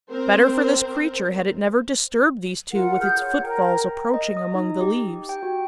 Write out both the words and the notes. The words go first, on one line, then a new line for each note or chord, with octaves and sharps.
Better for this creature had it never disturbed these two with its footfalls approaching among the leaves.
C4 A#4 C5
F4 A#4 F#5
G#4 F6 G6
C#5 F#5
A#4 G5 A#5
D#5
D#6
D#4
G4
G5
F#4